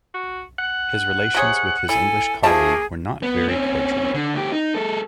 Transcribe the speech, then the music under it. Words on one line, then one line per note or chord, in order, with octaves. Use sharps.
His relations with his English colleague were not very cordial.
F#4
F#5
C3 G#4 C#5
E4 A4 G#5
F3 A3 A#3 G#4 A5
B3
C4 C#4
D3
D2 G4
D#4
G#3 A4